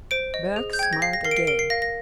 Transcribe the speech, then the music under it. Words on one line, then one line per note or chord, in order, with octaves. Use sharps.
Berg smiled again.
C5 D7
D#5
G#4
G6
G5 G#6
A#6
F5 C7
A#6
A#4 C7
D7
C7
A#4 D7
C7
F5 A#6
A#6